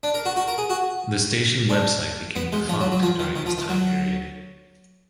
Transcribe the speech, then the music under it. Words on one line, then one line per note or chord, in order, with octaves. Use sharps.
The station website became defunct during this time period.
D4
A#4
F#4
F#4
A#4
G#4
F#4
D4
B3
G#3
F3
F#3
F#3
F3
D#3
D#3
F3
D#3
F#3